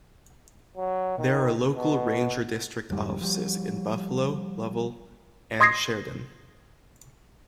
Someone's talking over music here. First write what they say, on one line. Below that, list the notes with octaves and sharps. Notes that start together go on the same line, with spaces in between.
There are local ranger district offices in Buffalo, Lovell, and Sheridan.
F#3
D#3
B2
G1 F2 G#2 G3
F3 G3
D#5 C6 D#6 G#6 A#6 C7